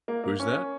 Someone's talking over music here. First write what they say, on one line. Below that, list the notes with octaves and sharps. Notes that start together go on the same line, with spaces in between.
Who's that?
A#3
A#3
C#4